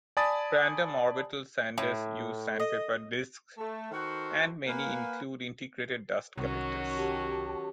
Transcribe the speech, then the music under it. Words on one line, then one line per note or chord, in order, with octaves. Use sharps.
Random-orbital sanders use sandpaper disks, and many include integrated dust collectors.
D5 G#5 A5 B5 D#6 A6
A2
D#5
A3
D#3 F#4 A4 C5 F#5
A#3 B4 F5 F#5 G#5
C2 D#3 F#3 C#4 F#4
G4 A5